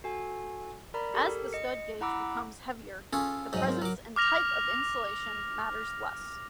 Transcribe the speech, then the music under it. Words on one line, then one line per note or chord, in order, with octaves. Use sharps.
As the stud gauge becomes heavier, the presence and type of insulation matters less.
F#4 A4 G#5
A#4 D5 A#5 B5
G4 A4 A#4
D#5 C#7
E4 F#5 A#5 B5 D6 E6
C#4 F4 G#4 A4
B1 F2 G#2 F#3 D#5
C4 A#4
F#3 A#4 D6
D6 F6 A#6 F7